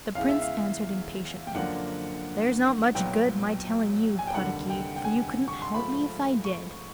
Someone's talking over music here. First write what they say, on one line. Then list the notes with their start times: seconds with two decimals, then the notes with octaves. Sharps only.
The Prince answered impatiently, 'There's not much good my telling you, Puddocky, for you couldn't help me if I did.'
0.15 E2 C#3 E3 G#3 F5
0.29 E5
0.42 F5
1.47 G5
1.55 F#2 D3 F3 A#3 D4 F#5
2.95 B1 A#2 F#3 B3 G5
4.19 G#5
4.27 G5
4.34 F1 D#2 D3 G3 A#3 F#5
4.70 G5
4.96 G5
5.05 G#5
5.48 C#6
5.62 C6
5.75 G#2 F3 A3 B5
6.45 C#6